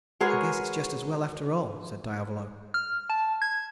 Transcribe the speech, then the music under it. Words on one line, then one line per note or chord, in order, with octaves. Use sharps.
"I guess it's just as well after all," said Diavolo.
G#3 F#4 G#4 A#4 B4 C#5
F6
A5
G#6